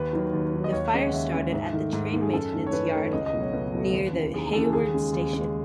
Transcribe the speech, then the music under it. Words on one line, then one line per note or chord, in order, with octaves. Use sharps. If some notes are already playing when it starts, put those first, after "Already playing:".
The fire started at the train maintenance yard near the Hayward station.
Already playing: D#2 B4
D#3 F#3
D#2
D#3 F#3
D#5
D#2 C#5
C#3 G#3 D#5
F#5
D#2 E5
C#3 G#3
G#2 E5
D#3 A3
G#2
D#3 A3
G#4
F#2 A4
D#3 A3
C#5
F#2 B4
D#3 A3
C#2 D#5
D#5
B2 F#3 A3
C#5
C#2 B4
B2 F#3 A3
D#2
C#3 E3
D#2 G#4
G#4
C#3 E3 A4
D#2 G#4
C#3 G#3
D#2
C#3 G#3